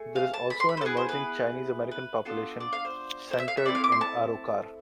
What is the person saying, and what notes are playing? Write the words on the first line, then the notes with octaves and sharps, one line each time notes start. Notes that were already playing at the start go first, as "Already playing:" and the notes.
There is also an emerging Chinese-American population, centered in Arrochar.
Already playing: A3 G#4
F5
A5
B5
C6
B5
C5
A4
B3 E4 G#4 B4
C5
B4
B4
B3 D4 F4 A4
D5
F5
C5
C5
E5
F5
E5
A3 C4 E4 D5
F5
D6
C6
A5